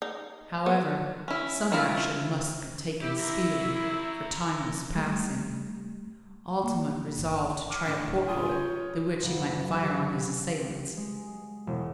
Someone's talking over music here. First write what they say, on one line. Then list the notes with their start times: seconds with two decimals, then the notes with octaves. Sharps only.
However, some action must be taken speedily, for time was passing. Altamont resolved to try a port-hole through which he might fire on his assailants.
0.02 D#4
0.66 B3
1.28 C#4 E4
1.72 A3 C4 E4 F4 A#4
3.02 E4 G4
3.20 A#4 E5
4.95 G3 A3
6.64 A#3
7.17 G1
7.70 D6 F6
7.85 A2 D4 B6
8.27 F4 G#5 C6 D#6
8.49 C#5 G6
9.23 F#1
9.82 G4
10.97 G#3
11.67 E1